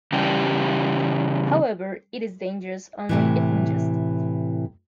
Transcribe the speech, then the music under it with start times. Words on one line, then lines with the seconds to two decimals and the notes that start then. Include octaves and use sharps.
However, it is dangerous only if ingested.
0.12 C#3 E3 G3 G4
3.09 A2 C3 E3